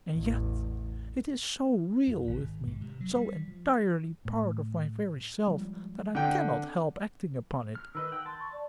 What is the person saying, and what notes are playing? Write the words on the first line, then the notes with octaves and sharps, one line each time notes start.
And yet it is so real with me, so entirely part of my very self, that I cannot help acting upon it.
A1 E2
F2
G#1
G#2
C3
F#3
G3
F3
A2
F3 G3 G#3
D3 C4 G5
F6
D#3 B4 D#5 E6
F#5 G5
A5 C6
C#6
D5